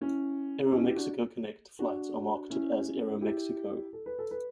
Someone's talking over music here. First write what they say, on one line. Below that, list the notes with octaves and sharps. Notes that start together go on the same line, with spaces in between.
Aeromexico Connect flights are marketed as Aeromexico.
C#4 E4
C#4 E4
E4 G4
D4 F#4
D4 F#4
C#4 E4
E4 G4
A4
B4
A4
B4